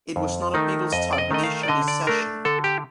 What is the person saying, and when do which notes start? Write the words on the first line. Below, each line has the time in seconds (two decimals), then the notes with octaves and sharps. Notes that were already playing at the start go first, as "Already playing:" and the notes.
It was not a Beatles-type leisurely session.
0.16 F2
0.54 D#3 A3 D#4
0.93 F2 D#5
1.13 D5
1.18 D#5
1.31 D#3 A3 D#4 D#5
1.44 F5
1.63 D5
1.68 D3 D#5
1.88 D5
2.07 A3 D4 A#4
2.45 D3 A4
2.64 G4